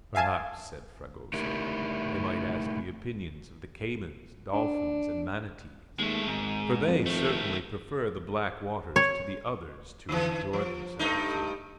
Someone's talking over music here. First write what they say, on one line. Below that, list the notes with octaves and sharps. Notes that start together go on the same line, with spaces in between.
"Perhaps," said Fragoso, "they might ask the opinions of the caymans, dolphins, and manatees, for they certainly prefer the black waters to the others to enjoy themselves in."
E5 F5 G#5 A5 G#6
A3 D#4 E4 G4 A#4
D4
D#2 G#3 A3
G#1 G#2
F2
D#3 A3
C#5
D3 E3
F3
G2 A3 D#4